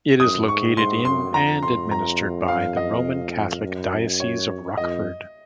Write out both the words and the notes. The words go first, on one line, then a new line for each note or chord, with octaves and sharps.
It is located in, and administered by, the Roman Catholic Diocese of Rockford.
F#2 D#6
G#2 C#6
G#2 C6
F#2 C6
F2 A#5
C6
A#5
F5
D#5
F#2
C#5
F2 D#5